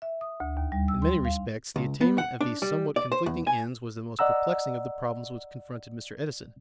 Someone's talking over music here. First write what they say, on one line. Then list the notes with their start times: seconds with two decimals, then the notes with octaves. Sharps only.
In many respects the attainment of these somewhat conflicting ends was the most perplexing of the problems which confronted Mr. Edison.
0.02 E5
0.21 D#6
0.40 D2
0.57 D#2
0.72 G3
0.88 E6
1.02 C6
1.25 F5
1.76 C#2
2.01 B3
2.18 F#5
2.41 D4
2.62 G3
2.96 D5
3.12 C5
3.26 E2
3.47 G#5
4.19 D5 D#5 F#5 A#5 E6